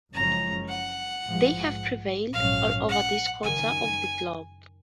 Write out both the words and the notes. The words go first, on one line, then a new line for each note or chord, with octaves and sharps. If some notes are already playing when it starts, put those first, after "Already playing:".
They have prevailed all over this quarter of the globe.
F#1 F#2 F3 G#3 C#4 A#5
F#5
A#1 G#2 F3 G#3
A#1 G#2 F#3 C#4 F5
F#5
F#1 F#2 D#3 G#5